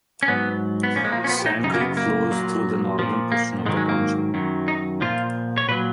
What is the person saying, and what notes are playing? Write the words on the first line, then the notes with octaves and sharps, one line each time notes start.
Sand Creek flows through the northern portion of the township.
C#4
G#2 F#3 B3
B3
A#2 F3 C#4
G#3
A#3
C#4
B3
D#4
F#2 C#3 F#3 D#4
A#3
B3
A#3
A#2 F#3
A#2 F3
A#3
G#2 D#3 F#3 G#3
G#3
A#3
F#2 D#3 F#3
D#4
A#2 F3 F4
C#5
A#2 F#3 B4